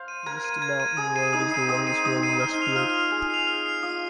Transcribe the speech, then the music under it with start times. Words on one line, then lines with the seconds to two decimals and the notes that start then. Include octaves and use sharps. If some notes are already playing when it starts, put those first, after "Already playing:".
East Mountain Road is the longest road in Westfield.
Already playing: C5 F5
0.08 D#7
0.26 A#4 G#6
0.44 D#7
0.62 G#6
0.80 D#7
0.97 G#4 D#6
1.15 C7 D#7
1.33 D#4 D#6
1.51 D#4 C7 D#7
1.69 C4 D#6
1.87 C7 D#7
2.04 D#4 D#6
2.16 C4
2.23 C7 D#7
2.29 D#4
2.40 D#4 F6
2.58 C7 F7
2.75 F4 F6
2.94 C7 F7
3.11 G#4 F6
3.30 C7 F7
3.47 F6
3.66 C7 F7
3.83 F4 D#6